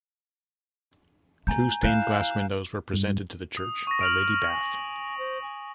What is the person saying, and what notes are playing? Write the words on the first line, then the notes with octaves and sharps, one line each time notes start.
Two stained glass windows were presented to the church by Lady Bath.
A3 G#5 A#5 G6
E4 F5 F#6 G6 E7
G2
D#6
C#6 A#6
F6 D7 F7 F#7
G#5
C5
G#5